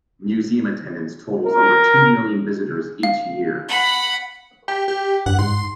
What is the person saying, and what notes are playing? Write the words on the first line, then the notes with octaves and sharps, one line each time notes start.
Museum attendance totals over two million visitors each year.
A#4
F5
F#5 B5
G4
G4
G2 F#5
G#2 C6